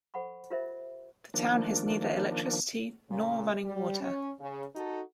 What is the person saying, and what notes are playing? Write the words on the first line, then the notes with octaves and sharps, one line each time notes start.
The town has neither electricity nor running water.
A4 C5 F#5 B5 C#6
F4 G4 A#4 C5 D#5 E5
D#3 F3 A#3 D4
A#2 C#3
G3
C#4
C#3
D#4 F#4 A4